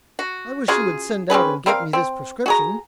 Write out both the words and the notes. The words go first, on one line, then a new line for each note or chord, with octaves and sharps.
"I wish you would send out and get me this prescription."
F#4
C#3 F4 F#4 G#4
C4 C#4 G#4 B4
G3 C4 A#4 F5
C4
F#4 G#4 A#5